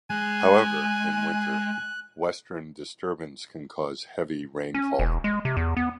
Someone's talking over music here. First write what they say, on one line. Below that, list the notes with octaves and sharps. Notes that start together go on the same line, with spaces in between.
However, in winter, Western Disturbance can cause heavy rainfall.
G#3 G#5 F#6
C#4
E1
G#3
C3
E2
B3